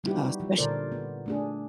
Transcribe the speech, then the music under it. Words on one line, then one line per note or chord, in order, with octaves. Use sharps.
uh, especi
G3 B3 D#4 E4 F#4 G4
F3
A#2 D3 A4 A#4 C5 D5
B3
A3 D4 G#4